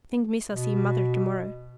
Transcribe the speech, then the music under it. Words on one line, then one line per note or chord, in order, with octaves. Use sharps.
Think Missa see Mother to-morrow.
B2